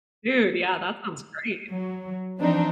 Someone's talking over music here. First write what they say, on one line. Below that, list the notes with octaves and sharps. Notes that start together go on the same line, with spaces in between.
Dude, yeah, that sounds great.
F#3
E3 F3 C4 D4 D#4